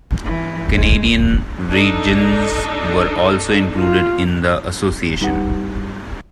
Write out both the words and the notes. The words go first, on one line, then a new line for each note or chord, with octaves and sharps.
Canadian regions were also included in the Association.
E3
G#3
D4 D#4 A4
F4
G3 D#4 G4 B4 F#5